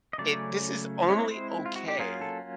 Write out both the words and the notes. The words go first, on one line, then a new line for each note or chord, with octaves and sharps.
it this is only okay
D#5
C#3 F#3 A3 C#4 D5
G#3 C4 E4 C#5
C5
F4
F#4
G4
F#3 A#3 C#4 F4 G#4
A4